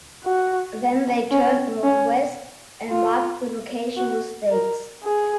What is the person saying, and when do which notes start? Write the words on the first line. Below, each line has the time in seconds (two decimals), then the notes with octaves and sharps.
Then they turned northwest and marked the location with stakes.
0.24 F#4
1.31 C#4
1.83 C#4
2.90 F4
3.97 F#4
4.51 A#4
5.04 G#4